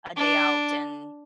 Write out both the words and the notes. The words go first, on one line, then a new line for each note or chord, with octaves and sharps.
a day out, and
D4